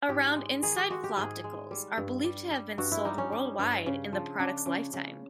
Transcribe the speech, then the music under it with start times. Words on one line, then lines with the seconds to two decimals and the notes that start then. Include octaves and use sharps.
Around Insite flopticals are believed to have been sold worldwide in the product's lifetime.
0.09 G#2 G4
0.36 G#3
0.63 D#3 G#4
0.76 G4
0.90 G#3 F#4
1.04 G4
1.17 G#2 G#4
1.44 G#3
1.71 G3
1.97 G2
2.24 G3
2.51 G3
2.78 G2 F#4
2.92 E4
3.05 G3 D#4
3.18 C#4
3.32 G3
3.59 G2
3.86 C#3
4.13 F3
4.39 C#3 D4
4.66 C#3
4.93 C#3